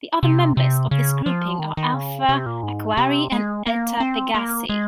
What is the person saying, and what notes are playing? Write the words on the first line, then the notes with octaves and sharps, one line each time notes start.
The other members of this grouping are Alpha Aquarii and Eta Pegasi.
C3
C3
C#3
F3
D#3
D#3
C#3
C3
A#2
G#2
C3
G#3
A#3
C4
A#3
G#3